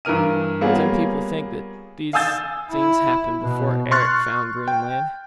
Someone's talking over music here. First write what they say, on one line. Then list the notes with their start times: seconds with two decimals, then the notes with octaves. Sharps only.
Some people think that these things happened before Eric found Greenland.
0.05 G2 E3 A#4 F6 D#7
0.61 G3 A#3 B3 C#4 F4 G#4
2.13 F5 G#5 D#6 E6 G6 A6
2.71 E4
3.43 B2
3.91 C6 C#6 F6 F#6 A6
4.68 G5